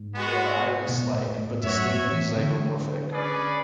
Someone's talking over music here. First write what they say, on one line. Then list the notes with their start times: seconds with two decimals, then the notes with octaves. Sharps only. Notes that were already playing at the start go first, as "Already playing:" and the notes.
They are iris-like but distinctly zygomorphic.
Already playing: G#2
0.14 G#3 B3 F#4
0.89 B2
1.13 A2
1.38 A2
1.63 F#2 F#4 C#5 E5
1.77 G#2
1.87 A2
2.12 E3
2.36 D3
3.11 C#4 G#4 B4 D5